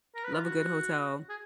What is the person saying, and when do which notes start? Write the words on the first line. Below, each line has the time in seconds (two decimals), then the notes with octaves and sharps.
love a good hotel,
0.15 A#4
0.24 B4
0.34 F4
0.44 F#4
1.29 G#4